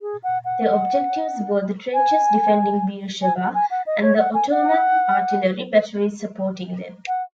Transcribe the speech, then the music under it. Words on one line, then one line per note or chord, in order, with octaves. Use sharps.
Their objectives were the trenches defending Beersheba and the Ottoman artillery batteries supporting them.
G#4
F#5
F#5
G#5
G#5
F#5
G#5
F#5
D#5
C#5
F#5
G#5
F#5
F#5